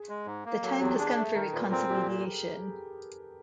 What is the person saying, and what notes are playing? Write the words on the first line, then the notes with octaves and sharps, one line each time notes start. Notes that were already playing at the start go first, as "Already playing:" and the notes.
The time has come for reconciliation!
Already playing: G#4
G#3
G#2
A#3
F#3 A4
E2 G4
D4 G#4
A3 A4
D#3 A#4
A#2 B4
C4 A#4
A#2 G4